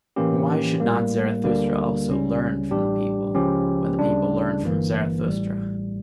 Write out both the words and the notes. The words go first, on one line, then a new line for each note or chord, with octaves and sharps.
And why should not Zarathustra also learn from the people, when the people learn from Zarathustra?
A2 E3 A#3 C#4 G4
A1 A2 G3 A#3
D2 D3 G3 A#3
C#2 C#3 G3 C#4
A1 A2 G3 D4 G4
C#2 C#3 F3 C#4 G4
D2 C#3 G3 D4
G1 G2 E3 A#3
A1 A2 G3